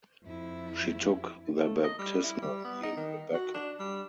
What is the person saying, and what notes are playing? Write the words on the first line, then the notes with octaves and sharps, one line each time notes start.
She took the baptismal name "Rebecca".
F2 E4
A3
D#5
G3
E4
G3
B3
D#4
D#3
F#4
D4
G3